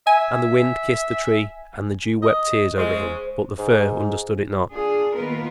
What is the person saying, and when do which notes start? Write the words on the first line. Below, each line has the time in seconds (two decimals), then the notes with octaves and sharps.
And the Wind kissed the Tree, and the Dew wept tears over him; but the Fir understood it not.
0.07 E5 G#5
2.22 D#5
2.78 C#3 G#3 C5
3.58 G#2
4.71 D4 F4 G#4
5.17 D#3 A#3 B3 F4 A#4 B4